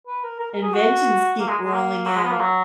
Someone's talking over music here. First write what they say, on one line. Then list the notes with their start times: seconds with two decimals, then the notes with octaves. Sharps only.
inventions keep rolling out.
0.07 B4
0.24 A#4
0.40 A#4
0.52 A#4
0.62 G#4
0.74 F#4
1.39 A#3
1.49 G#3
1.64 G#3
1.74 A#3
2.06 F#3
2.16 G#3
2.24 B3
2.32 A#3
2.40 F#3